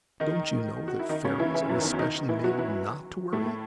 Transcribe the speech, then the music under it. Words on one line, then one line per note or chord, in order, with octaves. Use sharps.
Don't you know that fairies are especially made not to worry?
D#3 D#4
F#4
E4
D#3 D#4
C#3 C#4
E3 E4
E3 E4
F#2 F#3
D#3
E2 E3
C#4
D#3 D#4
E3 E4
F#3 F#4
E3 E4
A2 A3
A3